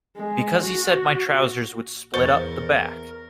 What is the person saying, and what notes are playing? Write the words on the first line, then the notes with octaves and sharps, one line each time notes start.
Because he said my trousers would split up the back.
G#3
F#4
E2 A#4 C5 C#6 A6 C#7 G7